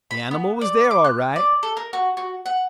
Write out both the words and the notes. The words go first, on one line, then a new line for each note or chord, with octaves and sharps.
The animal was there all right.
B5
B3
D5
D6
F#6
D5
A4
A#4
F#4
F#4
F#5